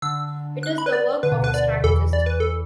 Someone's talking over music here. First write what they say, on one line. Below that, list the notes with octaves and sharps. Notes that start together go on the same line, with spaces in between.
It is the work of a strategist.
D3 D4 E6
F#6
B5
B4
D5
D3 B4
B2
D2 D3 B4
D5
E2 E3 A4
D5
B4
A4